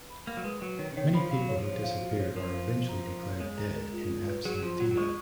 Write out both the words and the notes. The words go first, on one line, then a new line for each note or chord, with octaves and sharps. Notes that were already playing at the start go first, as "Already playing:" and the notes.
Many people who disappear are eventually declared dead "in absentia".
Already playing: B4
B5
A#3 F#5
F#3
G#3 B4
F#3 B4
D#3 C#5
C#3
D#3 C#5
F3 B5
F#3 F5
C#5
F3
C#5
F5
F#4
C#5
F3 A#4
F5
F#4
A#5
A#4
F5
G#3 C#5
A#5
A#4
F4
F4
B4
F#3 G#4
F3 F4
F#3 F4
F#3
G#3 C#6